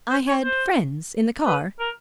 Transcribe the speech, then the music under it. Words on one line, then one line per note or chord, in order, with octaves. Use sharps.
"I had friends in the car."
C5
C#5
C5
B4
A#4